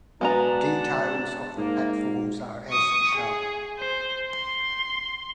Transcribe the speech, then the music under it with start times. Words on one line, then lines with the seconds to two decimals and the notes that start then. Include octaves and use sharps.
Details of the platforms are as shown.
0.21 B2 G#3 B3 D4 F#5 A5 A#5
1.57 G#2 A#3
2.71 C#6 D#6
3.15 G#4
3.78 C5
4.31 C6